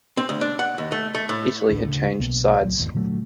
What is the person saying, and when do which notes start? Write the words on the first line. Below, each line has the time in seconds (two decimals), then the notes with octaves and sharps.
Italy had changed sides.
0.17 C4
0.29 D2
0.41 D4
0.59 F#5
0.78 D#2
0.92 A3
1.15 A3
1.29 A2
1.69 A1 D2 D4
1.85 D2 C#3
2.19 B1 B2 A#3
2.61 D1 C2 C3 F#3
2.79 G#1 E2
2.94 A#2 D3 F#3 A3